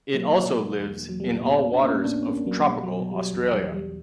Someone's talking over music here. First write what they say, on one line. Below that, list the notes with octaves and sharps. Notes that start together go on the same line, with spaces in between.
It also lives in all waters of tropical Australia.
B2 F#3 A#3
B2
E2
E2 F#3
G3
A#3
A#2 G3 B3
A#2 D4
A#3 C#4
A#1 B3 D4
A#3 C#4
A#1
F#3 A#3
B2 G3
F#3
B2
G3
F#3
E2 F#3
G3
E2
G3